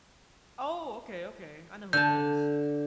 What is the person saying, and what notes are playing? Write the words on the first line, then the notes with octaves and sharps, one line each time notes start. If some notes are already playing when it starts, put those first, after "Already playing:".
Oh, okay, okay, I know who that is.
D3 A5 G6